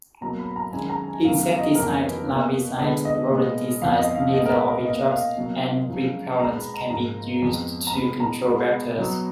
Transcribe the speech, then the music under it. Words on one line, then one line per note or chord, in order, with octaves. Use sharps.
Insecticides, larvicides, rodenticides, Lethal ovitraps and repellents can be used to control vectors.
B2 F#3 A#3 A#5
B5
B5
A#5
F#2 D#3 G#3 G#5
A#5
G#5
F#2 D#3 F#3 B3 F5
F5
D#5
F2 D#3 A#3 A#4
B4
B2 A#3
D3 G#3 B3 B4
D#5
A#2 G#3 B3
F2 F3 B3 F5
D#5
F5
A#2 G#3 B3 D#5
A#4
B4
B4
B2 A#3 D#5
F5
B2 F#3 A#3
F#2 F3 G#3
B2 G#3 B3 A#5
B5
A#5
G#2 F3 A#3 A#5
F2 F3 G#3 B3
A#5
B2 G#3 B3 B5
A#5
B2 G#3 B3 B5
B2 F#3 B3